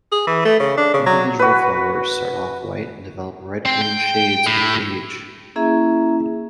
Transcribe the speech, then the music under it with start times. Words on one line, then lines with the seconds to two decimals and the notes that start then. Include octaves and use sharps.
Individual flowers start off white and develop red-green shades with age.
0.12 G#4
0.27 E3
0.45 A3
0.60 C#3
0.77 D4
0.94 C#3
1.06 F#3
1.39 F#4 B4
3.66 C4
3.81 G5
4.47 A2
5.56 A#3 C#4 E4 G#4 E5 A#5